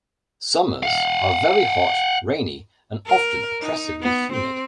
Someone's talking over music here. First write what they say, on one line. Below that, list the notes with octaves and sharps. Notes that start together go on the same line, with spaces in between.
Summers are very hot, rainy and often oppressively humid.
F5 F#5
A#4
D#4
B3
C4